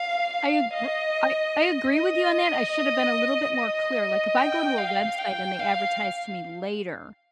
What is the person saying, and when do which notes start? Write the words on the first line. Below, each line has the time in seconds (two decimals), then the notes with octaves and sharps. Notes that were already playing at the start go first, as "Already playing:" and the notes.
I agr I I agree with you on that. I should’ve been a little bit more clear. Like, if I go to a website and they advertise to me later,
Already playing: F5
0.33 F5
0.73 D#5
1.96 D#5
3.57 D#5
4.38 G5
4.78 F5
5.19 G5
5.60 F5